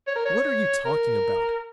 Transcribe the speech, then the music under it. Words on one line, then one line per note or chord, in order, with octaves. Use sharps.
What are you talking about?
C#5
A#4
C#5
A#4